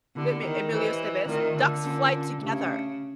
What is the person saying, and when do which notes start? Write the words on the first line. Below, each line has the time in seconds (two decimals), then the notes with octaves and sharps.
With me Emilio Estevez. “Ducks fly together.”
0.15 D3 B3 E4 G4
0.45 D#3
0.72 E3 G4 C5 D#5
1.28 D#3 A3 C4 F4 A#4 D5
1.57 D3
1.85 A#3 C#4 F4 A#4
2.41 C#3 A3 D4 G4